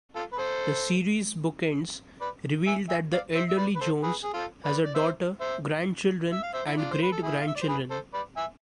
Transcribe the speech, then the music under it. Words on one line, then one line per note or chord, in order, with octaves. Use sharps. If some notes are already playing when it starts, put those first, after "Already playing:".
The series' bookends revealed that the elderly Jones has a daughter, grandchildren, and great-grandchildren.
F4 A4
B4
A4 C5
B4 D5
E5 G#5
E5 G#5
D5 F5
C5 E5
E5
B4 D5
B4
A4 C5
G#4 B4
G#4
F4 A4
B4 D5
D5
C5 E5
C5 E5
E5
F5
C5 E5
E4
D4 F4
C5
B4
A4
E4 G#4
F5
E5
D5
C5
G#4 B4
A4 C5
B4 D5
E5 G#5